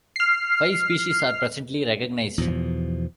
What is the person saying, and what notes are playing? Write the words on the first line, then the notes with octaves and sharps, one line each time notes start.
Five species are presently recognized.
F6 C7
E2 B2 F3